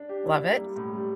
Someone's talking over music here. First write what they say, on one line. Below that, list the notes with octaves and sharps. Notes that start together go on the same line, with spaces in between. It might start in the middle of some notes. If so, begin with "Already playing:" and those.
Love it.
Already playing: D4
G4
E4
A#3
G3
A2
G3